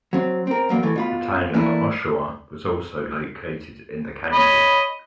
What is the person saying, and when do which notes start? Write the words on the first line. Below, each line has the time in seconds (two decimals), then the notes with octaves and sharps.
The Town of Oshawa was also located in the county.
0.13 F#3 C4
0.47 C4 A#4
0.69 E2 F#3 A#3
0.83 E3 A3
0.96 B2 F4 B5
1.54 E3 A3 A#3 D4 E4
4.33 C#5 D#5 B5